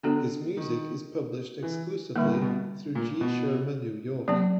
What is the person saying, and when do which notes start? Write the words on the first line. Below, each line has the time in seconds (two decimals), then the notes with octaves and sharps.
His music is published exclusively through G. Schirmer, New York.
0.03 D3 B3 D4 F#4 A4
0.57 D#3
1.63 E3
2.15 D3 D#3 G3 A#3
2.25 C#3
2.33 C3
2.42 B2
2.95 A#2
3.21 B2
4.28 C3 F#3 A#3 C#4